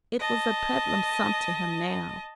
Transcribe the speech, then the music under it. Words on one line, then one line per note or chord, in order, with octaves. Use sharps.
It was a peddling sum to him now.
D#5 A5